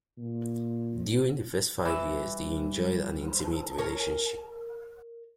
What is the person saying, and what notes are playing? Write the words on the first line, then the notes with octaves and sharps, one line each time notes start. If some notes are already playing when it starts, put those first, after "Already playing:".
During the first five years, they enjoyed an intimate relationship.
A#2
E3 G3 E5 E6
A#4 C#5